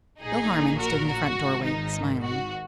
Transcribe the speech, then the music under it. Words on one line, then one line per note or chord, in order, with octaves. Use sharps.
Bill Harmon stood in the front doorway, smiling.
A#1 A#2 D#4 G#4
F#4 A#4
F#4
G#1 G#2 D#3
D#4
F#4